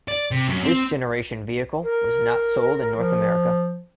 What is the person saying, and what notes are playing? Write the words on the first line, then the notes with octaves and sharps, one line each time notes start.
This generation vehicle was not sold in North America.
D5
C3
F#2
C4
A#4
F3